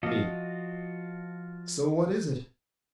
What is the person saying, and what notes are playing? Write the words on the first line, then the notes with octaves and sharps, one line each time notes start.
ME: So what is it?
F3 F4 F#4 D#5